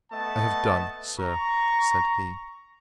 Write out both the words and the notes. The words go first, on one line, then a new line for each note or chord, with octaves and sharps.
I have done, Sir, said he.
A3 B3 D#5 A5
A#5 C#6